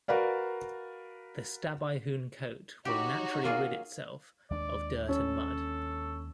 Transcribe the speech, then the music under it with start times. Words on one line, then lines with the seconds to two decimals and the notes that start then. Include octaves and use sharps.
The Stabyhoun coat will naturally rid itself of dirt and mud.
0.08 F#4 A#4 B4 D5 F5
2.85 D#4 F#4 G4 C#5
3.44 A#3 F4 G#4
4.50 D#2 G#3 D4 D5
5.09 C#4 A4